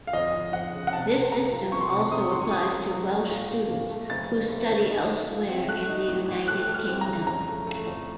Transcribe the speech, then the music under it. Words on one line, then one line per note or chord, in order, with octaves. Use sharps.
This system also applies to Welsh students who study elsewhere in the United Kingdom.
F5
F2 D#5
F2
F2 F#5
C#3
F#5
C3 A5
C3
C3 A#5
F3
C3 C#6
C6
C3 C#6
C3 D#6
C#6
C#2 C6
C#6
C#3 D#6
F#3
F#3
A3
A#2
A#2
A#2
A3
F#1 A6
C#3
F#1
C#3
D#4
D#4
F3
C4
A3 F#6
D#4
A1
A1
A3 F#6
A3
F6
C4
A#5
C#3
F2 A#5
A3
A3
F2